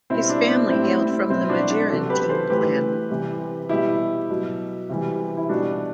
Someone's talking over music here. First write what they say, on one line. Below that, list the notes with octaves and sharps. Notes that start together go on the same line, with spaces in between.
His family hailed from the Majeerteen clan.
B2 G3 C4 E4
D4
C4
A2 G3 C4 E4
C4 E4
B2 F#3 C4 E4
D4 F#4
D4
C3 F#3 F#4 A4
G4 B4
A4 C5
A2 E3 G3 G4 B4
C3 E3 G3
B2 G3 E4 G4
B2 F#3
C3 E3 G3
E4
B2 G3 D4 F#4